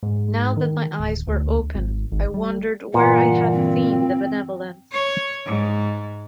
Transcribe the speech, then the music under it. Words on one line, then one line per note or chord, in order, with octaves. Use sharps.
Now that my eyes were opened I wondered where I had seen the benevolence.
G#2
D#3
D1
D2
G#1
G#1
G3
G2 A#2 D3 E3 F4 F#5
C4
C#5
G#2